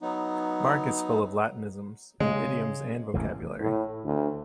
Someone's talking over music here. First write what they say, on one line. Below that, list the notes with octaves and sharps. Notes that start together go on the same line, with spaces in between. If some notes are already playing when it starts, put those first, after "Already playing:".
Mark is full of Latinisms, in idioms and vocabulary.
F#3 B3 D#4
C#3 G#3
A1 E2 C3
A2
D2